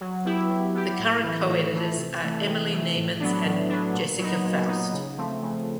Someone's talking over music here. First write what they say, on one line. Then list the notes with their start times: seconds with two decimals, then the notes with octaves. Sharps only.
The current co-editors are Emily Nemens and Jessica Faust.
0.01 F#3
0.25 B3 E4 G4
0.50 F#3
0.74 B3 E4 G4
0.99 A2
1.23 E3 A3
1.48 A2
1.73 E3 A3
1.98 C3
2.22 E3 A3
2.46 C3
2.72 E3 A3
2.96 A2
3.20 F#3 B3 D4
3.45 A2
3.69 F#3 B3 D4
3.94 A#2
4.18 F#3 B3 D#4
4.44 A#2
4.68 F#3 B3 D#4
4.93 C#3
5.18 F3 A3 C4
5.42 C#3